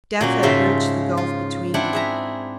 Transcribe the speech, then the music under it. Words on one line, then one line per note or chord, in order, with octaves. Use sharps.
Death had bridged the gulf between them.
A#2 F#3 C#4
G#2 C#3 F3 F4 E5 C6
F4
C4 D4 E4 F#5
G#4 E5 A#5